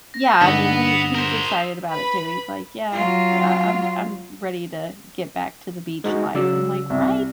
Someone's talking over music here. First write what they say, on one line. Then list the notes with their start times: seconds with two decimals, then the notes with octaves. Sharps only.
yeah, I mean, he he's excited about it too, he's like, "Yeah. I I I'm I'm ready to get back to the beach life," I'm like, "Right?"
0.14 A#6
0.41 G2 D3 B3 D#4 D#6 E6 B6
0.85 E7 F7
1.15 A#4 C5
1.90 B4 B5
2.92 F#3 F4
6.04 G#3 D#4 F#4
6.35 C#3 F#3 D5 E6
6.90 C2